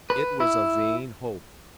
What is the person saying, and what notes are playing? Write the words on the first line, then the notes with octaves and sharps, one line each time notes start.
It was a vain hope.
B4
E4